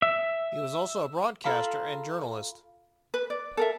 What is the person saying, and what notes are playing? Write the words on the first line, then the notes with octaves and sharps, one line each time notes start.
He was also a broadcaster and journalist.
E5
F4 A4 F5 A#5 B5
B4
D5
A4 A#4 E5